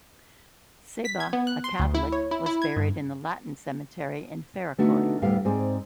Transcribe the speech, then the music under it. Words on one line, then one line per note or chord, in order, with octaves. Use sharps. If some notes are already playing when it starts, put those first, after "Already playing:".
Sebah, a Catholic, was buried in the Latin cemetery in Ferikoy.
B6
G#6
B3
F#6
C6
D2
E4
C#5
E4
E4
G#6
G2
D3 A3 B3 D4 D#4 F#4
D2 A2 G3 B3 F5
G#2 C4 G#4 D5